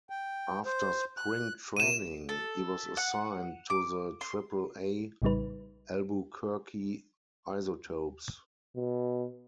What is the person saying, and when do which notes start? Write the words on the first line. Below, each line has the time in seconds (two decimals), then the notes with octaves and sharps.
After spring training, he was assigned to the Triple-A Albuquerque Isotopes.
0.10 G5
0.65 C5
1.17 F#6
1.77 C3 D#7 E7
2.29 A4
2.97 F#5
3.70 D6
4.21 C6
5.22 A#1 A2 C#3 G3 D#4 B4
8.76 B2